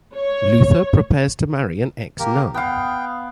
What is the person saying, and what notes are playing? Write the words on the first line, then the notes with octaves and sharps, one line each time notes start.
Luther prepares to marry an ex-nun.
C#5
A#3 G4 A#4
B3 F5 G5